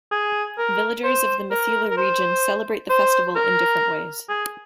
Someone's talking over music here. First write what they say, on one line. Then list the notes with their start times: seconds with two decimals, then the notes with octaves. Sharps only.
Villagers of the Mithila region celebrate the festival in different ways.
0.11 G#4
0.58 A#4
1.04 C5
1.51 A#4
1.90 A#4
1.97 C5
2.90 C5
3.36 A#4
4.29 G#4